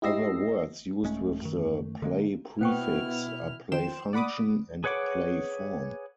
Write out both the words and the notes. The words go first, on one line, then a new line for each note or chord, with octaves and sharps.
Other words used with the "play-" prefix are play-function and play-form.
E4 G4 D#5 E6 A#6 C7
D#1 G#3 A3 C#4
F#2 D#3
D3 G#3 A#3
B2 B3 E4 C5 G5 C#6 F6
D#3 F3 C5 G5 C6 E7
D5 F#5 B5 D6 D#6
G#4 B4 C#5 F#5 D6